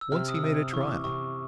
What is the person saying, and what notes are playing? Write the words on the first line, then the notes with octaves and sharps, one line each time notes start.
Once he made a trial.
E6
C3 F6
D#6
E6
C3
D#6
E3 C#6
D6
C3 C#6